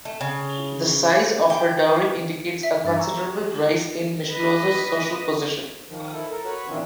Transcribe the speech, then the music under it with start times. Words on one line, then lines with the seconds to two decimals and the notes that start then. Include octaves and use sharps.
The size of her dowry indicates a considerable rise in Michelozzo's social position.
0.05 A3
0.21 C#3
1.50 G5
2.63 E5
2.84 G2 E3 A6
2.97 A#5 C#6 E6
3.30 G4
4.31 B4 D#5
5.90 D#3 F3
6.13 E4 A4
6.32 A4 A#4
6.45 F#4 B4 C#5
6.69 A#2 D#3 E3 C4 D4 F4